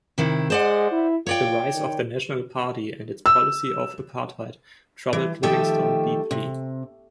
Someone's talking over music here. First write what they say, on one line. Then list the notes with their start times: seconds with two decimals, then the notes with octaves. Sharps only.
The rise of the National Party and its policy of Apartheid troubled Livingstone deeply.
0.18 C3 D#3 E4
0.50 G#3 C5 D5 F#5
0.92 E4
1.27 F4 C#5 D5 G5
1.72 D#3
3.26 E6
5.13 E3
5.43 D#3 F3 A3 G4 E5 G5
6.31 C3